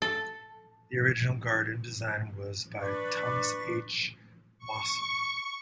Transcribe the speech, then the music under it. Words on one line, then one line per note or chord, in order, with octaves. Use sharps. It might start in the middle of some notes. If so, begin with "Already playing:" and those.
The original garden design was by Thomas h. Mawson.
A4
D4 B4 C#6
C#6